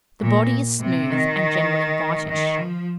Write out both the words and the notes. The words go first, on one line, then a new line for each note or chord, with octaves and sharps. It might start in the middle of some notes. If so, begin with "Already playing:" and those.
The body is smooth, and generally whitish.
A#2
C3
D#3
D#3
F3